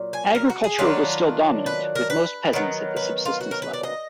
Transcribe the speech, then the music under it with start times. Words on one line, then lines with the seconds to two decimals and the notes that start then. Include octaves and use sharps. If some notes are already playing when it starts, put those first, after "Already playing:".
Agriculture was still dominant, with most peasants at the subsistence level.
Already playing: A#2 F#3
0.13 G#5
0.35 A#4
0.49 F#4
0.64 G#4
0.79 D#3 F#3 D4 F4 B4
1.66 B4
1.95 A#4
2.10 B4
2.53 D#3 F#3 B3
2.96 B4
3.25 F4
3.41 F#4
3.51 A#4
3.62 B4
3.73 D5
3.83 D#5